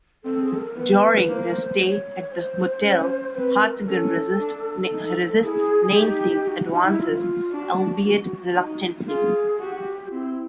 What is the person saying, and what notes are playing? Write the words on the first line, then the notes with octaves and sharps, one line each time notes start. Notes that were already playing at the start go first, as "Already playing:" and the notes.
During their stay at the motel, Hartigan resists Nancy's advances, albeit reluctantly.
C4 A4
G#4
A4
A#4
B3 B4
A#3 C5
C#5
C5
C#4
C4 B4
A#4
C#4 A4
D4
D#4
E4 G#4
D#4 G4
G4
F#4
D#4
E4
F4
D4 F#4
D#4
F4 G#4
F#4 G4
F4
C4 E4